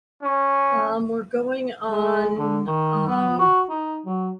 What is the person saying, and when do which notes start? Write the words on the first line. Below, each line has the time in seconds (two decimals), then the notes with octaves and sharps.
Um, we're going on, um
0.23 C#4
1.90 G#3
2.38 D3
2.66 D#3
3.07 B3
3.39 F#4
3.69 D#4
4.05 F#3